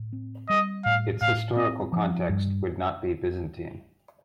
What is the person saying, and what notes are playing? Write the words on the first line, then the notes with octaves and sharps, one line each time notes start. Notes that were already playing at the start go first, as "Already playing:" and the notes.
Its historical context would not be Byzantine.
Already playing: A2
C4
G3 D#5
A2 F5
A2 F5
C4 D#5
F3
G2